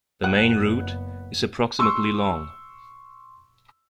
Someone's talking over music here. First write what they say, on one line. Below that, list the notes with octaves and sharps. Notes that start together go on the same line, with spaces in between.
The main route is approximately long.
F#1 B3 F#5 F#6
C6 C#6 E6